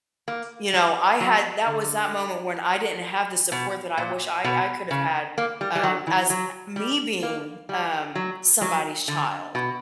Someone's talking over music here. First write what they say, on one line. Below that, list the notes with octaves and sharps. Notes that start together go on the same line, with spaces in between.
you know, I had that was that moment when I didn't have the support that I wish I I could've had, um, as, uh, me being, um, somebody's child,
A#3
G3
F#3
D3
B2
A#2
B2
C#3
A#3
G3
G3
F#3
E3
F#3
G3
A#3
G3
F#3
F#3
D3
B2